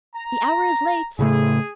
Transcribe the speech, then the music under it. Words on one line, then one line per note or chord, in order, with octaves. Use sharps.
"The hour is late!"
A#5
A2 C#3 A3 G#4